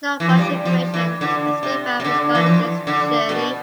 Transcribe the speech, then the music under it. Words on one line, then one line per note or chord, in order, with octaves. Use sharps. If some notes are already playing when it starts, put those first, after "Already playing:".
Not much information has been found regarding this tourney.
E3
F3
G3
F3
E3
D3
C3
C3
D3
E3
F3
D3
B2